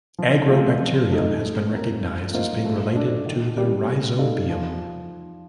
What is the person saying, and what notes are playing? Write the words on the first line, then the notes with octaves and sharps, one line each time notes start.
"Agrobacterium" has been recognized as being related to the "Rhizobium".
F3
A3 C4 F4
F3
A3 D#4 A4 D#5
A3
C4 F4 A#4
F3
A#3 F4 C5 D#5
A3
D4 A4
D#3
G3 C4 G4 D5
A3
D#4 A4 D5 F5
F3